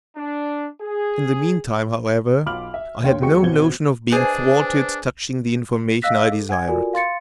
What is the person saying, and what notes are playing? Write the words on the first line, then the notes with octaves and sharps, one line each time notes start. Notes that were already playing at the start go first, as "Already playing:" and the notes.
In the meantime, however, I had no notion of being thwarted touching the information I desired.
D4
G#4
B1 F4 B5 D6 F6 F#7
E5
D#2 D3 C#5 G5 C6
E2 G#3 F#4 G5 C#6 C#7
A1 B2 C4 G#6 G7
D4 G#4 B4 C5 G#5
D#5 F5 E6 F#6 A#6 B6
A4
F#5 G#5 G#6
F4 F#4 A4 A#4 D5 G#5
F5 C6 A6 C#7